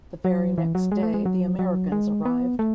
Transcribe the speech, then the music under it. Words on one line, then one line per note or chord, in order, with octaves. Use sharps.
The very next day the Americans arrived.
F#3
E3
F#3
G#3
A3
G#3
F#3
F#3
G#3
B3
A3